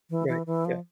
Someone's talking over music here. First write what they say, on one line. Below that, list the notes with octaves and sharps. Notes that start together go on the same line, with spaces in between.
Right, yeah.
E3
E3
E3
F3